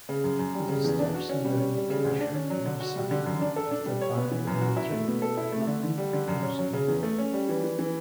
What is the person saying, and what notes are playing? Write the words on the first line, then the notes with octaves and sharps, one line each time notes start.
The steps in the replication lifecycle after particle entry have not be elucidated.
C#3
F#2
F#2
G3
C#3
E2
D4
F#4
C#4
G3
C#5
G3
C#3
D2
D4
C#4
F#3
D3
F#4
G3
D3
F#2
D4
A4
D4
G3
C#5
B3
E3
F#2
F#4
E4
A3
B2
A4
E4
A3
D3
D3
G3
D3
F#2
C#4
F#3
C#3
E2
A3
C#4
G3
E3
E3
E3